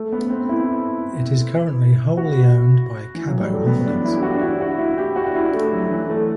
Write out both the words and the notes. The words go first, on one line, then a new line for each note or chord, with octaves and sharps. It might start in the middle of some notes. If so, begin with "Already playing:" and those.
It is currently wholly owned by Kabo Holdings.
Already playing: A3
B3
C4
E4
F#4
E3
F#3
G3
A3
B3
D4
E4
G4
F#4
D4
E4
F#4
E4
G4
F#4
D4
E4
A3
F#3
E3
A3